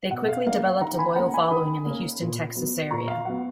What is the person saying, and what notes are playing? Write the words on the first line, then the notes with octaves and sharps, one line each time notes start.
They quickly developed a loyal following in the Houston, Texas area.
B2 F#5
F5
A#3 C#4 F5
F#5
D#3 F#5 A#5
G#5 B5
A#3 C#4 F#5 A#5
G#5 B5
D#3 B5 D#6
A#3 C#4
A#2
F#3 B3
A#2 A#5 C#6
F5
F#3 B3 F#5